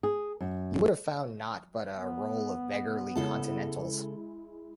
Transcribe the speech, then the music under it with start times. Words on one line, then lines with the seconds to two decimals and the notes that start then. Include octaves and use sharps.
You would have found naught but a roll of beggarly continentals.
0.03 G#4
0.41 F#2
1.96 B3
3.15 C#3 G#3 E4 A4 A5